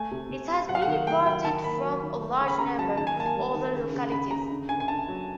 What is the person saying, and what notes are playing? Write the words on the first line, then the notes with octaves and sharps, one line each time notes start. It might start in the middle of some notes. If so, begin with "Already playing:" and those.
It has been reported from a large number of other localities.
Already playing: A3 G#5
C3
C3
C3
F#3 F#5
F5
F#5
D#3
A3 G5
F#3 G5
D#3 A5
A#3 B5
F#3
D#3
A3
C#3
B5
C#3 A#5
F#3 A5
D#3 A5
G#5
A#3 A5
G#5
G3
D#3
C#3
C#3
C#3 B5
C#3 A#5
D3
D3 G#5
G#5
D3 A5
F#3